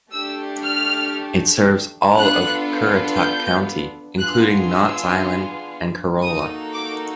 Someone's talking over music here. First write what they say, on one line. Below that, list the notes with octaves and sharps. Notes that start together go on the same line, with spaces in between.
It serves all of Currituck County including Knotts Island and Corolla.
A3 D4 G4 E6
F6
B3 D4 F4 A4 F#6
G6
B3 D4 F4 G#4 F#6
E6
A#3 D#4 F#4 A4 D#6
D6